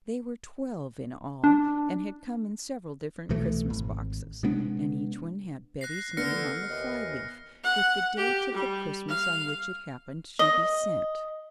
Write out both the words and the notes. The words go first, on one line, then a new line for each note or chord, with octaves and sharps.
They were twelve in all, and had come in several different Christmas boxes, and each one had Betty's name on the fly-leaf, with the date of the Christmas on which it happened to be sent.
D4
C2 B2 E3 A3
G#1
C3 G#3 B3 D4
F#6 A#6 C7
D3 B3 F6 A#6 C#7
D#2 E3 D#5
F#5
G4
G3
F5
D#5